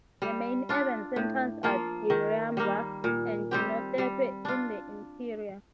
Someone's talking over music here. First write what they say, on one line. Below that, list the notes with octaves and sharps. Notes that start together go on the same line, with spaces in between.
The main urban centres are Diriamba and Jinotepe in the interior.
G3
D4 F4
A2
F3 A#3 F4
D#3
G3 A#3
A#2
G3 C4 G4
G3
D4 F4